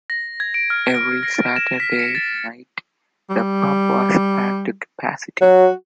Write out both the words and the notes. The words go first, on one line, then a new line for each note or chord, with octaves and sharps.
Every Saturday night the pub was packed to capacity.
A#6
G#6
D7
F6
D7
A#6
E7
B6
C#7
A6
G3
F#3 F#4